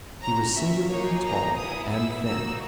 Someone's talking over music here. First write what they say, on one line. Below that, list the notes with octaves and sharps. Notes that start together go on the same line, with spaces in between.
He was singularly tall and thin.
C#4 F#4 A#5
E5
A#3 D#4 G#4 C#5
A#5
B3 E4 G#4 D#6
E6
A#3 D#4 F#4 E6